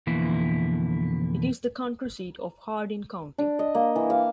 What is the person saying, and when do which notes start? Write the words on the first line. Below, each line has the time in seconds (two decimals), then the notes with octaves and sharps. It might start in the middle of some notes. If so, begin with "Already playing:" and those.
It is the county seat of Hardin County.
0.07 F2 B2 D3 E3 A#3 E4
3.38 D4
3.59 D#5
3.75 A#3
3.96 E3
4.10 F5